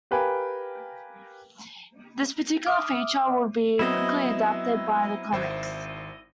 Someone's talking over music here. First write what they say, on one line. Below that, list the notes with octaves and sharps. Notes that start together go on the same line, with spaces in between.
This particular feature would be quickly adapted by the comics.
G4 A#4 B4 F5 G5 G#5
E5 D6 D#6 F6
F#3 B3 C4 E4 D#5
G#1 C5 E5